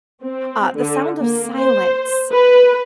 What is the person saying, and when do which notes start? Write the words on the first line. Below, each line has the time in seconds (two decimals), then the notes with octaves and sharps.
uh, The Sound of Silence.
0.23 C4
0.77 D3
1.20 A#3
1.58 C5
2.32 B4